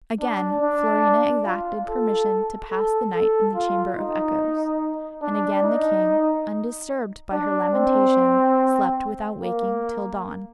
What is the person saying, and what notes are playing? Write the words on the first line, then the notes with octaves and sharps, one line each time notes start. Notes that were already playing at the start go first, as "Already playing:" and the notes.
Again Florina exacted permission to pass the night in the Chamber of Echoes; and again the king, undisturbed by her lamentation, slept without waking till dawn.
D4
D4
F4
A4
A4
A4
F4
D#4
D4
D#4
D4
C4
A#3